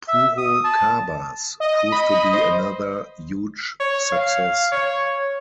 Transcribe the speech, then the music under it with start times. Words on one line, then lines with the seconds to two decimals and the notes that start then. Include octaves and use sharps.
"Puro Cabas" proved to be another huge success.
0.08 E5
0.38 D#6
0.64 A5
1.60 D#5
1.92 B5
2.33 C5
3.80 C#5
4.12 F5
4.72 C#5